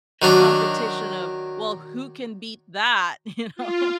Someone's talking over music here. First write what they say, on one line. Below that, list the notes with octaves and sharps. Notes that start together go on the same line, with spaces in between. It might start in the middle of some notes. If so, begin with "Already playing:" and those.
competition of, "Well, who can beat that," you know?
D#3 F#3 D4
F4